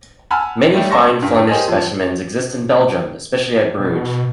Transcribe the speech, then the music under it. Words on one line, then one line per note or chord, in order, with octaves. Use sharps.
Many fine Flemish specimens exist in Belgium, especially at Bruges.
F#5 G#5 A5 B5 E6 F6
F#3 G3 A3 D#4 G4
A5 C6 C#6 E6 A#6
G2
G4 A#4 C5 D#5 G#5
F2
B2